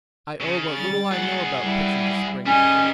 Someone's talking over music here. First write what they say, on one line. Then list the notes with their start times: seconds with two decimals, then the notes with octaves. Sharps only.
I owe what little I know about pitching to Springer.
0.41 C#3
0.72 G3 A6
1.12 G#4 F#5
1.61 G3 E4
2.46 G3 C#4 D#4 G#4 D#5